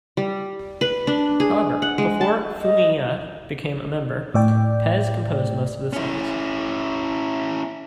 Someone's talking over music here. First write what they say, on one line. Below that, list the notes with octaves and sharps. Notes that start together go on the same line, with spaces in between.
However, before Fumiya became a member, Pes composed most of the songs.
G3
B4
D4
G#4
F#5
G#3
A5
D#5
A2 D5 G5
C#4 E4